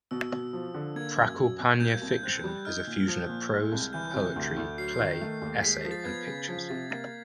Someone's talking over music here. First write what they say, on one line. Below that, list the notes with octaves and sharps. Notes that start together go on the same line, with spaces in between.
Prakalpana fiction is a fusion of prose, poetry, play, essay, and pictures.
B2 E6
B2
F3
D3
A#3 G#6
F#2
F#3
B2
A#3 G6
C2
C4 F#6
G3
D#4 F6
A#2
F3
A#2
G#3
C2
E3 G6
C3
D2
D2
F#3 C7
D#3
A3
D#2
G#3 B6
B6
F3
A6
B3 G#6
C#3
F3 A6
C3 A6
A#3 A6